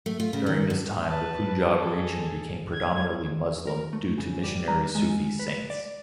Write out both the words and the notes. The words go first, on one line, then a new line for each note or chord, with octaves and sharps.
During this time, the Punjab region became predominantly Muslim due to missionary Sufi saints.
A3
F4
C#3
D#3
G2
B4 A5
G#4 A4
G#6
A#4
A3
C#3
G3
A#5
G#3
B4
D5